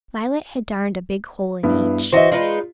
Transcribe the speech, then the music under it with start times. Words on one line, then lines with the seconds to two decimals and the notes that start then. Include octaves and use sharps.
Violet had darned a big hole in each.
1.63 G2 B3 E4
2.12 E3 F#4 C5 D#5 E5
2.32 G#3 D#4 F4 B4